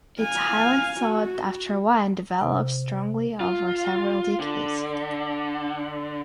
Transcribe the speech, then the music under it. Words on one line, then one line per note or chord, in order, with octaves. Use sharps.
Its highly sought after wine develops strongly over several decades.
F5 G#5
F#4
C3
F4
D3